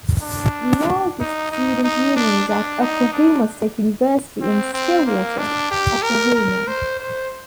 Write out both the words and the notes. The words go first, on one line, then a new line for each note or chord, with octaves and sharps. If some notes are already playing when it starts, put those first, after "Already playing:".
The largest student union is at Oklahoma State University in Stillwater, Oklahoma.
D4
D#4
D#4
D#4
D4
D4
D#4
D4
C4
C4
A#3
D4
G4
A#4
A#4
C5
C5